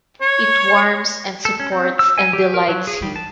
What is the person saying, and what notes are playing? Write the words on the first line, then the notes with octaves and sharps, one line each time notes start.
It warms and supports and delights you.
C#5
A4
C#4
C4
E6
G#5
G4
A#4
F#3
G#4
G3
A5